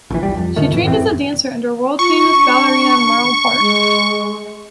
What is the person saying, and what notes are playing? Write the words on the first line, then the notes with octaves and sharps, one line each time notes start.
She trained as a dancer under world-famous ballerina Merle Park.
A#1 E3
E1 G3
F2
A#2 D3 D#3 A3
F2 A2 E3
A1 F#2 E3 C4
F4 C#6
D4
G#3